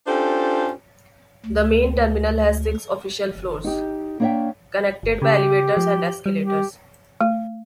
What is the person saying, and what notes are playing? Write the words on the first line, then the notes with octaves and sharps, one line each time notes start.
The main terminal has six official floors, connected by elevators and escalators.
C#4 D4 F4 G4 A4 C5
D2
D#4 G4
A#3 D4 C#5 D5 E5 G5
G1
C#3 G4
F3
G3
G4
A3